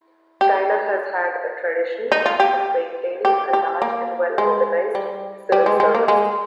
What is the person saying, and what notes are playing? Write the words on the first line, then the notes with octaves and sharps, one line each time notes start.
China has had a tradition of maintaining a large and well-organized civil service.
G4
D#4
F4
G4
G4
G4
A#3
G#3
G3
G3
G#3
G#3
A#3
G#3